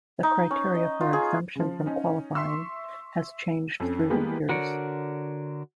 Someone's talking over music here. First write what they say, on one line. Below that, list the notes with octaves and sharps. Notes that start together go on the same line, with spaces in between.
The criteria for exemption from qualifying has changed through the years.
D#4
C#4
D#5
F4
G#4
C#3 F3
C#4 D#4
E5 C6 C#6 E6
F2 C#4 A4
G3 G#3 A#3 B3 G4 G#4
D3 F#4 A#4 C#5 D5